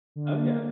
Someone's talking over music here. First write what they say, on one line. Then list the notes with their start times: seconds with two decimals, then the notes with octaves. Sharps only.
Oh, yeah.
0.16 D3
0.39 A#3